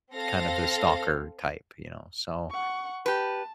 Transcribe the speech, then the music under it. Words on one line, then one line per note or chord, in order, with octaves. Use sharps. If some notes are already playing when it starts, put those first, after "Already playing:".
kind of the stalker type, you know? So,
C4 A4 F5 A#6
F#5 C#6
G4 B4 A5